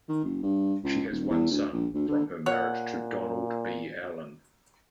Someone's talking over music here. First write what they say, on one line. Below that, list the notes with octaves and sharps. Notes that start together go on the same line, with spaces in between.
She has one son, from her marriage to Donald B. Allen.
D#3
F#1
G2
C#2
D#1
E2
D2
A#1
D2
D3
A#2 C#5 F#5